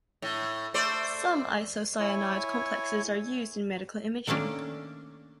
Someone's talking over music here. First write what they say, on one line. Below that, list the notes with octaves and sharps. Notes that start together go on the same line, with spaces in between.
Some isocyanide complexes are used in medical imaging.
A2
A3 C5 D5
E4 C#5 G#5
D#3 A3 A#3 C#4 D4